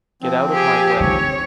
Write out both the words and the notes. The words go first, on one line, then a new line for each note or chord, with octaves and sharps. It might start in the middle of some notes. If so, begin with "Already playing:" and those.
Get out of my way.
F3 C4
G4 G#4
D3 D#3 C#5